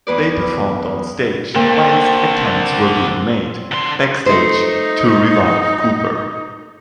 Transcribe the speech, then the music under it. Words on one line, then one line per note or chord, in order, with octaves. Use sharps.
They performed onstage whilst attempts were being made, backstage, to revive Cooper.
E2 B4 D5
D3 A3 A#3 C4
D3 C6
A3 D#4 C5